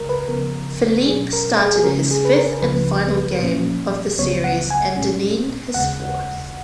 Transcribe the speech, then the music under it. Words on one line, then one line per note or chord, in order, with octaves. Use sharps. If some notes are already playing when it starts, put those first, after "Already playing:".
Phillippe started his fifth and final game of the series and Dinneen his fourth.
Already playing: C#2 C#3 G#3 A#4
B4
C#3 F3 B3 A#4
B2 F#3 C#4 G#4
A#4
G#4
G#4
C#3 G#3 C#4 A#4
G#4
B4
A#4
C#2 C#3 F3 B4
A#2 F3 A#3 C#4
C#2 C#3 F#3 B3 C#5
F#5
G#5
A#2 G#3 C#4
D#2 C#3 G#3 F#5